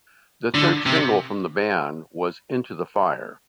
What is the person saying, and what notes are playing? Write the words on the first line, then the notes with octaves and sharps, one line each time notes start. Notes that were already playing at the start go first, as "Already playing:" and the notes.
The third single from the band was "Into the Fire".
D3
C3